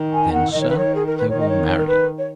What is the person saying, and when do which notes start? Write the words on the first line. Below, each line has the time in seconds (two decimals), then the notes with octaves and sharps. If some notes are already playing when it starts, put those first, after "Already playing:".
"Then, sir, I will marry you."
Already playing: D#3
0.12 G#5
0.32 F#5
0.51 D#3 D#5
0.60 C#5
0.68 B4
0.77 C#5
0.95 G#4
1.06 A#4
1.18 B4
1.29 D#3 C#5
1.39 D#5
1.48 C#5
1.67 C#5
1.78 A#4
1.87 B4
2.18 C#5